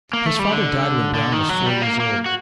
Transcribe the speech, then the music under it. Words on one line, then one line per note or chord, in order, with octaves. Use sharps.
His father died when Brown was four years old.
A#3
A3
G3
D3
D3
D#3
F#3
G3
A#3
A#3
F#4